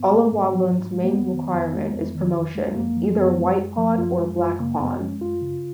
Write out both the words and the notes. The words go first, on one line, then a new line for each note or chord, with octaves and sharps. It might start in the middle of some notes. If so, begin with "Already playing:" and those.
Allumwandlung's main requirement is promotion, either a white pawn or a black pawn.
Already playing: G#2 B3
G#3
G#2
F3
G#2
G#3
A#3
F2 B3
D#3
F2
G#3
F2
D#3
F2
G#3
F#2 A#3
F3
F#2 B3
G#3
F#2
F3
F#2 F4
G#3
F#2 F4
C#3 A#3
F#2 B3
G#3 C#4
F#2 F4
C#3